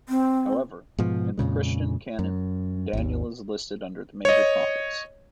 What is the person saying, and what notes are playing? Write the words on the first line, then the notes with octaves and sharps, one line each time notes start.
However, in the Christian canon Daniel is listed under the Major Prophets.
C4
G#2 B2 F3
F2 A#2 C#3 G#3
F#2
G#1 D#2
C#5 D#5